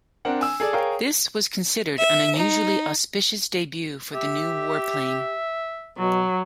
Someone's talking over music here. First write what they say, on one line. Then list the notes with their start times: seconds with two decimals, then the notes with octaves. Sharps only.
This was considered an unusually auspicious debut for the new warplane.
0.25 C4 D4 A#4 D5 F#5
0.41 G#5 E6
0.60 G#4 A4 D5
0.73 G#4 A#4 C#5 F5 G5
1.98 E5
2.35 D#4
4.14 G4 E5
5.98 B2 F#3